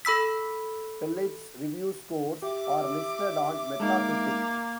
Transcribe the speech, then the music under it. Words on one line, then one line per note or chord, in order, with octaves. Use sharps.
Pelit's review scores are listed on Metacritic.
A4 B5 E6 B6
G4 E5 D6
G#3 A#3 D#4